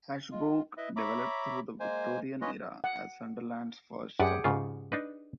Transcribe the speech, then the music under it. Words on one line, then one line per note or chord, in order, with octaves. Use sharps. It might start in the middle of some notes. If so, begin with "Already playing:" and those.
Ashbrooke developed through the Victorian era as Sunderland's first suburb.
G#3 F4
E4 B4 D#5 E5
C#5 E5 A#5 B5 D6
G#3 A#3 C5 G#5
C#4 F4 B4 C#5 D#5
F#5
F#2 G4 G#4 B4 D5 F#5
G#2 C#3 F4
D4 D#4 B4